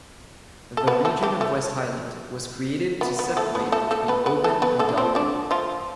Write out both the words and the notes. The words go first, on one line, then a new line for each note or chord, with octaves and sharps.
The region of West Highland was created to separate between Oban and Dalwhinnie.
A4
B3 B4
A3 A4
G3 G4
A3 A4
B3 B4
B3 B4
A3 A4
B3 B4
A3 A4
A3 A4
B3 B4
B3 B4
A3 A4
B3 B4
A3 A4
D4
C4
D3 D4
F3 F4